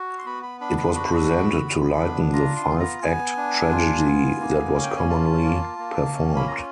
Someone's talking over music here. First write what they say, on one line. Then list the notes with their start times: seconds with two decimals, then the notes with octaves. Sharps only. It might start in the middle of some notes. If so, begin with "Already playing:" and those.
It was presented to lighten the five-act tragedy that was commonly performed.
Already playing: F#4
0.18 C6
0.26 B3 B5
0.43 B5
0.61 D4 B5
0.78 B5
0.95 F#4 B5
1.30 B3
1.64 B3
1.99 D4
2.33 F4 A#5
2.56 C6
2.68 B3
2.79 A#5
3.02 B3 G#5
3.37 D4
3.72 F4
4.06 B3
4.41 A#3
4.75 C#4
4.83 G5
4.96 G#5
5.10 F4 A5
5.44 A#3
5.78 A#3
6.13 C#4
6.36 B5
6.48 F4 A#5